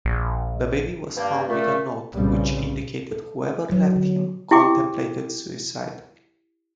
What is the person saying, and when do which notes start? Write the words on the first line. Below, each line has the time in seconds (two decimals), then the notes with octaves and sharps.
The baby was found with a note which indicated whoever left him contemplated suicide.
0.05 A#1
1.16 G2 A#3
1.49 A#2 A3
2.13 F#1 B1 A2 C#3 G3 C4
3.11 A4
3.72 F#3
3.96 D3
4.51 E4 G4 G5 D6